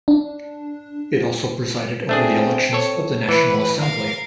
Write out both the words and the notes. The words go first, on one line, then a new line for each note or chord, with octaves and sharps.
It also presided over the elections of the National Assembly.
D4
A3 C4 D4 G#4
A4 C#5
E3 B4
A#4 F5